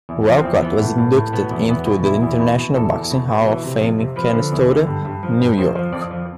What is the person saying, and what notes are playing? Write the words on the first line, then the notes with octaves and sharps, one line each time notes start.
Walcott was inducted into the International Boxing Hall of Fame in Canastota, New York.
E2
F3
C4
E2
E3 B3
A2
A2
A2
B2 B3
E2
E2 B3
B2
E2 E4
E2
B2
B2
E2 A4
E2
B2
B2
E3
C3
F2
C3
F3 B4
D3
E2
D3
G2
G2
F3
G2
F2 C5
F3
F2 D5
F3